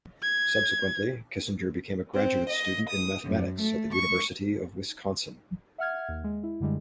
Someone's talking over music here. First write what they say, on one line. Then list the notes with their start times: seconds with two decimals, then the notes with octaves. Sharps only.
Subsequently, Kissinger became a graduate student in mathematics at the University of Wisconsin.
0.23 G#6
2.14 C4
2.49 D#5
2.89 D#6
3.24 F#2
3.61 A3
3.93 C#6
5.78 E5 F#5 F6 G#6
6.09 D#2
6.24 G#3
6.43 E4
6.60 F#2 D3 G3 G#3